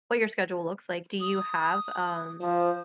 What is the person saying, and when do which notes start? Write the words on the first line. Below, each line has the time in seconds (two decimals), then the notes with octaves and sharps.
what your schedule looks like. Do you have, um,
1.20 D#6
2.41 F3 C5